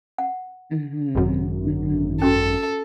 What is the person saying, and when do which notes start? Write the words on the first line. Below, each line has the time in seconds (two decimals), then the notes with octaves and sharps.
Mhm, mhm.
0.18 F#5
1.15 G#1 F#2
2.22 C#4 F#4 A4